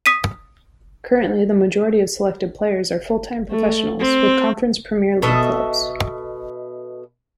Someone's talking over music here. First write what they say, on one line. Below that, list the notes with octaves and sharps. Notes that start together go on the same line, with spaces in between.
Currently, the majority of selected players are full-time professionals with Conference Premier league clubs.
D#6 B6 D#7
A3
C4
B2 A4 D#5 E5